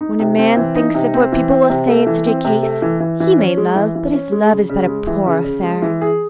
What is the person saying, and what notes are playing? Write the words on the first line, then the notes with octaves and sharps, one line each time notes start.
When a man thinks of what people will say in such a case, he may love, but his love is but a poor affair.
D#4
C3
C4
E3
D#4
C3
C4
E3
C4
C3
A3
E3
C4
C3
A3
E3
E3
E3
C#4
G#3
E3
E3
C#4
G#3
C#3
C#3
G#3
E3
C#3
C#3
G#3
E3
G#4